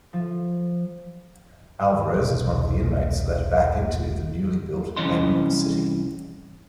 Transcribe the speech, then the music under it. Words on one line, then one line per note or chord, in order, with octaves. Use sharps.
Alvarez is one of the inmates let back into the newly built Em City.
F3
E1 C2
C2 E3 C#4 D#5 C6